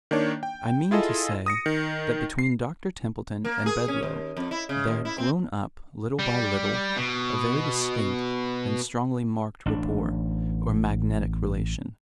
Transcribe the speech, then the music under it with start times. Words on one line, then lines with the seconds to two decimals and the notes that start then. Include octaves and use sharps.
I mean to say, that between Doctor Templeton and Bedloe there had grown up, little by little, a very distinct and strongly marked rapport, or magnetic relation.
0.11 D#3 A#3 D4 C#5
0.43 G5
0.91 E4 F4 G#4 A4 D#5
1.46 D#6 A#6 C#7
1.66 D#3
2.39 C7
3.45 A#3
3.66 G#4
3.88 C#4
4.03 D#2
4.37 F2
4.51 E4
4.69 C#3
4.87 D#2
5.05 E4
5.18 C4
6.19 G3
6.97 B2
9.66 A1 D4